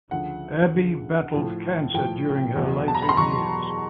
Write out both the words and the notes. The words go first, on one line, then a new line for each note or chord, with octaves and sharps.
Abi battled cancer during her later years.
D2 C#3 F3 F#5
D2 C#3 F3
A2 F3
A2 F3 G5
E2 B2 F#3
A5
A#5
B5
C6
E2 B2 F#3 C#6